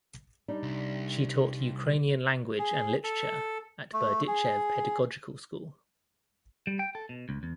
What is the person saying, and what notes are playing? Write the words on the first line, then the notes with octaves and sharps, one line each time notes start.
She taught Ukrainian language and literature at Berdichev Pedagogical School.
G3 D4 D#4
C2
G#4
A4
A3
G#4
G3
G5
A4
B2
C#2
E2